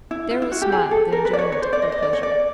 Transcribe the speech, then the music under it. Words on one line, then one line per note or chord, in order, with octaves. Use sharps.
Darrow smiled in enjoyment of her pleasure.
E4
F4
E4
F#4
G4
G#4
A4
A#4
B4
D5
C#5
C#5
C5
D5
D#5
D#5
D5
C#5
D5